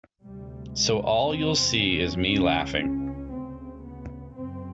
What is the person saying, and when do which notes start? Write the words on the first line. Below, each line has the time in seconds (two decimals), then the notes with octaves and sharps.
So all you'll see is me laughing.
0.24 D2 C3 G3
0.75 G#3
1.27 E2 C3 C4
1.79 C#4
2.30 C#2 C#3 C#4
2.81 C#4
3.33 D2 C#3 C4
3.85 B3
4.36 F#2 C#3 C4